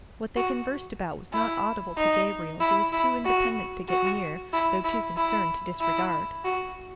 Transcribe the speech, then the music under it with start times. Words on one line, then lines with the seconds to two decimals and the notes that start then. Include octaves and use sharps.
What they conversed about was not audible to Gabriel, who was too independent to get near, though too concerned to disregard.
0.37 F#4
1.33 E4
1.97 D#4
2.60 E4
2.92 E4
3.25 F#4
3.89 F#4
4.53 E4
4.84 E4
5.17 E4
5.81 E4
6.45 F#4